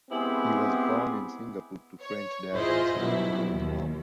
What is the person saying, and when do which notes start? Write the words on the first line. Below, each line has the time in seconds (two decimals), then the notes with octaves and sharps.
He was born in Singapore to French dad and Singaporean mom.
0.11 G#3 B3 C4 E4 G4 G#4
2.02 C#5
2.54 E4 F4 G#4 C5 D#5
2.99 G1 B2 F#3 E4
3.53 D#2